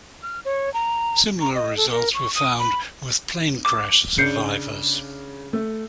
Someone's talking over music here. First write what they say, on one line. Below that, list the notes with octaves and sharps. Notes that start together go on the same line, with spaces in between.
Similar results were found with plane crash survivors.
F6
C#5
A#5
A#5
D#5
A4
A#4
C#6
D#6
B5
D6
C#3 D4 G6 C7 C#7
A3